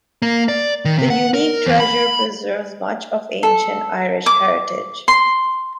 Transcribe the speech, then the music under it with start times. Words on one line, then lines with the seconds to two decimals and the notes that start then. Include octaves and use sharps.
The unique treasure preserves much of ancient Irish heritage.
0.22 A#3
0.48 D5
0.85 D#3
0.98 C3
1.10 F#5
1.34 A#4
1.66 E2
1.80 B5
3.43 A4
4.26 D6
5.08 C6